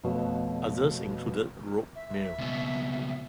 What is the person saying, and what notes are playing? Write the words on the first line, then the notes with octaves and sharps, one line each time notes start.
Others included "Rogue Male".
F2 B2 A3 F#4 C#5
E5
C#2 B2